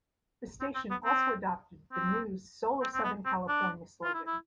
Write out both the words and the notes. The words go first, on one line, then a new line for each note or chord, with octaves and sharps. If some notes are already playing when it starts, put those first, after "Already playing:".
The station also adopted the new "Soul of Southern California" slogan.
C4
C4
B3
C4
C4
C4
C4
B3
C4
D4
F4
E4
E4